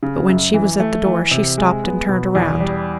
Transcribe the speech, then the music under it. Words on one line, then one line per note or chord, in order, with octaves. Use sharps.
But when she was at the door, she stopped and turned around.
C#3
F#2
E3
A3
E3
C3
G#3
B3
B2
E2
G3